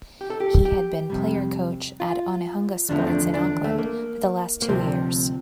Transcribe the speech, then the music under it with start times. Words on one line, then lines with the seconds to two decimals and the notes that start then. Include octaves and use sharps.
He had been player-coach at Onehunga Sports in Auckland for the last two years.
0.21 G4
0.30 A4
0.40 G4
0.65 G4
1.10 F2 C3 G3
2.00 F4
2.89 E2 D3 F3 A3 D4
2.98 C4
3.07 D4
3.34 D4
3.64 A3
3.78 A#3
4.62 A#3
4.68 D2 C3 F3 C4